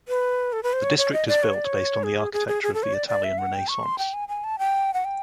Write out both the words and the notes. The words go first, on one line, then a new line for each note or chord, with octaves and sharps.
The district is built based on the architecture of the Italian Renaissance.
B4
A4
B4
C5
C#5
C#5
D#5
D5
C#5
D5
C#5
G#4
G#4
G#4
G#4
A4
C#5
D5
D5
E5
F#5
G5
C#6
C6
G5
G#5
G#5
A5
G5
F#5
G5